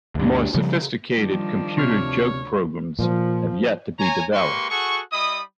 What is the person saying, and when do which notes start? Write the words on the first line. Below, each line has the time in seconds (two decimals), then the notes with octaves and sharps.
More sophisticated computer joke programs have yet to be developed.
0.15 D2 G2
0.54 C#3 F3 G3
1.13 D#3 F3 G3 D4
1.78 D2 C3 C#5 F6
2.99 A#2 F3
3.99 C#5 G#5 A#5
4.33 G#3 A#3 G4 B4 C6 C#6
4.70 F#4 G#4 A4 F#5 C#6
5.12 G3 E4 D#5 B5 D#6